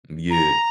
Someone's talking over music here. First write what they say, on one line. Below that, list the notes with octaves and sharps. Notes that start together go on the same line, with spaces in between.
Mm, yeah.
A#5